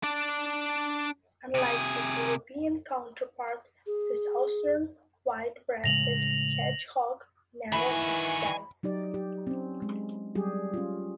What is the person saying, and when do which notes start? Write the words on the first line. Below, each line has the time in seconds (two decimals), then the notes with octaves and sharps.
Unlike its European counterpart, the Southern white-breasted hedgehog never digs dens.
0.03 D4 D5
1.54 C3 G#4
3.86 G#4
5.84 A2 C#3 G#3 A#6 F7 F#7
7.72 D#3 E3 F#4 G#5 B5
8.83 F#3 D#4 G4 D5
9.14 G4
9.47 C4 C#4
9.82 G#3
10.35 F#3 G3 G4 G#4
10.74 C#4 F4